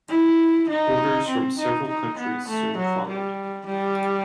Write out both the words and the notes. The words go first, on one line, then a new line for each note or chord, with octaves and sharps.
Orders from several countries soon followed.
E4
D#4
C4
D#4
D#4
B3
A3
F#3
G3
G3